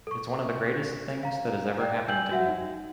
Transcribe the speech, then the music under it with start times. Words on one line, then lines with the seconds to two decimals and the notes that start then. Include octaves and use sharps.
It's one of the greatest things that has ever happened to me.
0.07 A4 C#6
1.23 F5 A#5
1.79 D5 G5
2.08 G5 G#5 E6 G6 G#6 F#7
2.31 F#4 E5 F#5
2.48 D#4